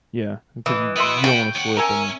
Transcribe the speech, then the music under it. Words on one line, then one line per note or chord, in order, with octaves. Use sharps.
Yeah, because you you don't wanna slip and
E3 D#5
B3 F#4 D#5 E5 C6
C#5 G5
D#2 F#5
C#4 A#4 E5 G#5